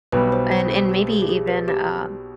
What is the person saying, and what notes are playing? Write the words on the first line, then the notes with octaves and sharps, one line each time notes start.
And and maybe even, um,
B1 B2 G3 B3 B4
C5
C5
C5
G4
G#4
G4
G#4
B4
G4